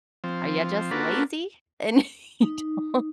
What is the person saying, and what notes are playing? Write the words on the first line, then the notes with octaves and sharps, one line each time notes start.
are ya just lazy? And you don't"
F3 C4
A#3 D4 F4 F#4 A4 B4
D#4